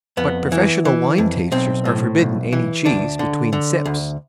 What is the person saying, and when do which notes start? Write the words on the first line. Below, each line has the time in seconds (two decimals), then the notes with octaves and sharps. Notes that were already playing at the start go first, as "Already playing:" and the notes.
But professional wine tasters are forbidden any cheese between sips.
0.17 F2 B3
0.52 E3
0.85 E3
1.18 F2
1.52 B1 C4
1.85 A2
2.19 B1
2.52 E3
2.86 D2 D4
3.19 D3
3.53 D3
3.86 D2